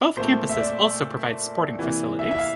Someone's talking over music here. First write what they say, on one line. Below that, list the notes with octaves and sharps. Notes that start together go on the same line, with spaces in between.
Both campuses also provide sporting facilities.
A#2 A3 C4 C5
E5
D5
C3 E3 A#3
E5
E5
F5